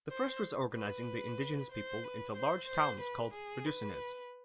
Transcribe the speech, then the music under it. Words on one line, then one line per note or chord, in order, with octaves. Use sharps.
The first was organizing the indigenous peoples into large towns called "reducciones".
C5
B4
C5
B4
C5
C5
B4
G#4
B4